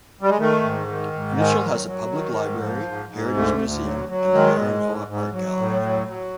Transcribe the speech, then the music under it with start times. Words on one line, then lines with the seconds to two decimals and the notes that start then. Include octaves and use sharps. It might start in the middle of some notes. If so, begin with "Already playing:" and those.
Mitchell has a public library, heritage museum and the Maranoa art gallery.
0.21 G3
0.29 G#3
0.38 D#3 A3
0.63 G#2
0.87 D#3
1.13 G#2
1.37 D#3 G#3
1.62 F#3
1.86 F#3
2.11 D#3
2.36 G#2
2.60 F3
2.85 G#2
3.09 G#2
3.35 D2 A3
3.60 D2
3.84 F#3
4.09 F#3
4.34 D#3 G#3
4.59 G#2
4.83 G#2
5.08 G#2
5.32 F#3
5.57 A2
5.82 F#3
6.07 F#3